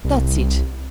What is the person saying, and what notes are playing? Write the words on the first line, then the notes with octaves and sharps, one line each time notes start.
That's it.
C2